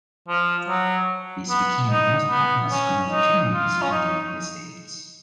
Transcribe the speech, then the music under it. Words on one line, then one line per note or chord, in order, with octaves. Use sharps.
These became the most popular school dictionaries in the United States.
F3
F#3
B3
D#4
B3
C#4
D#4
F4
C#4
D#4